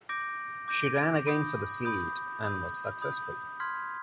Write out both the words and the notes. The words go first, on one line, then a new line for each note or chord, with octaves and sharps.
She ran again for the seat, and was successful.
D6 G6 A#6 D7
D6 G6 A#6 D7
B5 D#6 G6
B5 D#6 G6
B5 D#6 G6
B5 D#6 G6
C6 F6 G#6 B6